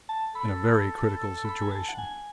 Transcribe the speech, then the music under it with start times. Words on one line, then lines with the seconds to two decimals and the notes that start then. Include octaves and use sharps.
In a very critical situation.
0.09 A5
0.35 A4 B5
1.45 B5
1.62 G#5
1.71 A5
1.89 F#5
1.98 G#5